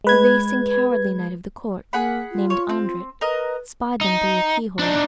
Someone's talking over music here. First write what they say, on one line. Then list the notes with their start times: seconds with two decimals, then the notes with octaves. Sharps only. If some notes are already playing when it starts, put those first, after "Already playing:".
A base and cowardly knight of the court, named Andret, spied them through a keyhole.
0.04 G#3 B4 G#6
1.93 A#3 G#4 F#5 B5
2.31 F4
2.50 C#5
2.69 C4
3.21 A#4 B4 D#5
4.01 D#4
4.79 D4 D#4